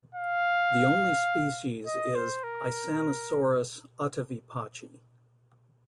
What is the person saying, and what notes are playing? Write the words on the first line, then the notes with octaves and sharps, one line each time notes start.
The only species is "Isanosaurus attavipachi".
F5
D#5
C5
A#4